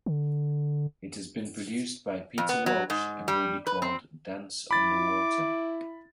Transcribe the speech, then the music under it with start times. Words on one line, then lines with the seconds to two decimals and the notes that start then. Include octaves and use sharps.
It has been produced by Peter Walsh and will be called Dance Underwater.
0.06 D3
2.38 F2
2.49 B3
2.66 F#3
2.90 G#2
3.28 G3
3.67 B4
3.82 C4
4.71 E4 B5 D6 A6